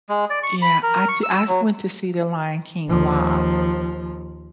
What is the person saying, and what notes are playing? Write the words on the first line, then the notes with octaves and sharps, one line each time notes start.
Yeah, I did I went to see the Lion King live.
G#3
D5
C#6
B5
A#4
C#6
E6
F#3
D#2 F3